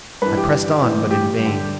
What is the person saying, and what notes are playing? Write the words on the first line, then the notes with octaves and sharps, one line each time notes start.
I pressed on, but in vain.
G2 E3 B4
G4
A2 E3
G4
G2
D3